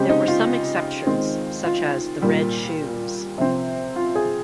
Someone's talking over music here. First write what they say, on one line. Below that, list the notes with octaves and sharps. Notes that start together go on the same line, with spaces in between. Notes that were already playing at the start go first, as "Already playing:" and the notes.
There were some exceptions, such as "The Red Shoes".
Already playing: C#3 G#3 C4 G4
D#4
F4
D#3 G#3 C4
F4
A#2 G3 A#3
C3 F3 C4
F4
G#4